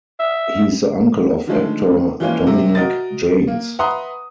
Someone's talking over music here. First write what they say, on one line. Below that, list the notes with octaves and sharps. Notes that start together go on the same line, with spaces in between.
He is the uncle of actor Dominic Janes.
E5
D3 D#3 F3 G#3 A3
E3 F3 G#3 A#3 C#4
C3
F#4 A#4 D#5 A6
A#3
B4 E5 F#5 A#5 C6 D#6